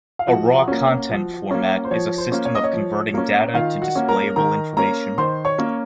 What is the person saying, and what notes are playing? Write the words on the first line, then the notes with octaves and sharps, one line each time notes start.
A raw content format is a system of converting data to displayable information.
F5
F3 F#4 F#5
A#3 C#4
F3
A#3 C#4
C5
F3 C#5
C5
A#3 C#4
C#5
D#5
C#5
F3
A#3 C#4
D#3 F4 F5
F#4 F#5
A#3 C#4
A#4 A#5
D#3 A#4 A#5
A#3 C#4 A#4 A#5
D#3 C5 C6
C#5 C#6
A#3 C#4